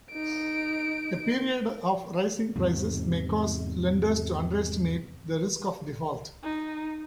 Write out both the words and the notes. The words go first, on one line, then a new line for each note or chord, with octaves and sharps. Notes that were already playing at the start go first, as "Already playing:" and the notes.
A period of rising prices may cause lenders to underestimate the risk of default.
D#4 D7
E2 G#2 C3
D#4